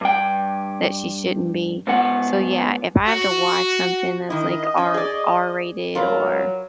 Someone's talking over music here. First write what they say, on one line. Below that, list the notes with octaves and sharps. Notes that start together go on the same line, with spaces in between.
that she shouldn't be. So, yeah, if I have to watch something that's, like, R R-rated or,
G2 G5
G#2 B3 F#5
F#4
D#3 E4 D#5
C#4
G#4 D5
F#3 F4 A#4 B4